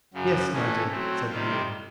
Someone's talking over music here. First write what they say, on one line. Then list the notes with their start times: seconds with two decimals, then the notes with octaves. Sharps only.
"Yes, my dear," said the warden.
0.14 F#2 C#3 F#3
0.52 A2 E3 A3 C#4
0.92 F#3 A3 C4
1.30 C3 D#3 G3 C4 F4